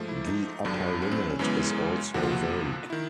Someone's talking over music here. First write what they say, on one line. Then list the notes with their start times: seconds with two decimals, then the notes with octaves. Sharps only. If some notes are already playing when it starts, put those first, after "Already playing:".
The upper limit is also vague.
Already playing: G#2 F3 A3
0.08 E4
0.27 D#4
0.65 G1 G2 D3 F#3 D4
1.02 C#4
1.12 C4
1.30 C#4
1.39 F#2 C#3 E3 G#3 B3
2.14 F2 C3 F3 A#3 F#4
2.23 F4
2.32 F#4
2.90 D#3 E4